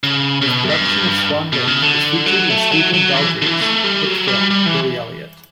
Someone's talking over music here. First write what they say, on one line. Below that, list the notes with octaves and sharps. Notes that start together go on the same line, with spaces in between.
His production of "Swan Lake" is featured in Stephen Daldry's hit film "Billy Elliot".
C#3
C#3
B2
F#2
G2
B2
C#3
D3
F#3
A3
F#3
F#3
D3
E3
D3
E3
A3
G3
F#3
G3
G3
E3